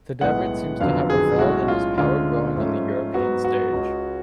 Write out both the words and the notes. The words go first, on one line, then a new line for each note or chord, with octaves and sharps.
Theudebert seems to have revelled in his power growing on the European stage.
B1 A2 G#3 B3 F#5
F#1 F2 D3 F#3 B3 F5
G#4
B1 A2 G#3 C#4 F#4
F4
D2 D3 G#3 C#4 F4
G#2 F3 A3 C#4
G#2 F#3 B3 F#4
F#4
C#2 C#3 G#3 C#4